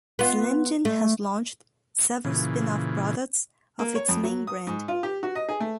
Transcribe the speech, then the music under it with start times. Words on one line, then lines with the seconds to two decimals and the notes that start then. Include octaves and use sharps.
Slim Jim has launched several spin-off products of its main brand.
0.19 B3 F4
0.85 A3
2.25 A#2 C#3 E3
3.79 A#3
3.95 C#5
4.08 F2
4.24 F#3
4.47 D#6
4.67 G#2
4.88 F4
5.03 G4
5.23 F#4
5.35 D#5
5.49 G#4
5.60 A3